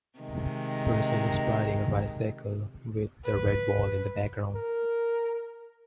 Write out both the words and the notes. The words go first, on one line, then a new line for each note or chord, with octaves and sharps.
A person is riding a bicycle with a red wall in the background.
C3 D#3 G#3
B4
A#4